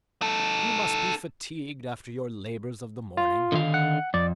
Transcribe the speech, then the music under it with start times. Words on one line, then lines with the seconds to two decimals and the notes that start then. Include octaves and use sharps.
You must be fatigued after your labours of the morning.
0.22 D#4 A4
3.17 F4
3.52 D3 D#3 F5
3.74 F#5
4.14 F2 D5